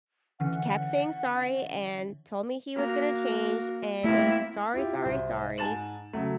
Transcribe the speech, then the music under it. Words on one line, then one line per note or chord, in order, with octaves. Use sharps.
kept saying sorry and told me he was gonna change, and it was a, "Sorry, sorry, sorry."
D3 E3 C#4 F#5
A#3 F#4
A3 A#3 C4 E4
E4 F4 G4
C2 C5
G#2 G#5 A5 A6 E7 F#7
C#3 F#3 A3